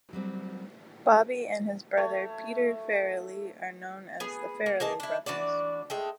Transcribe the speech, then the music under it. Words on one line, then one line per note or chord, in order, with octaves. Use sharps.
Bobby and his brother Peter Farrelly are known as The Farrelly brothers.
F#3 G3 C4
A3 C#5
B3 G#4
A#3
A#3 D#4 G#4 A5
D4 E4
E3 D4 F#4 D5
G#3 A3 G5